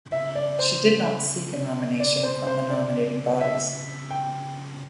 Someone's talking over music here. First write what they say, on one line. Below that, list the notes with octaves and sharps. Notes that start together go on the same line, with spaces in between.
She did not seek a nomination from the nominating bodies.
E5
D5
C5
D5
C5
C5
D5
E5
G5